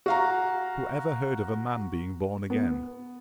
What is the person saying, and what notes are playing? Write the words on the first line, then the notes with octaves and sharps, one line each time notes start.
Who ever heard of a man being born again?
F#4 F5 A#5
B3